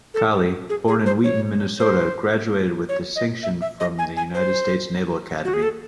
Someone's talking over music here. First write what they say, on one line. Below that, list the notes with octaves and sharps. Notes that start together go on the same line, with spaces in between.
Colley, born in Wheaton, Minnesota, graduated with distinction from the United States Naval Academy.
A4
G#4
G#4
C5
C#5
C5
C#5
D#5
E5
E5
D#5
G#5
G#5
C5
F#4
G#4
A4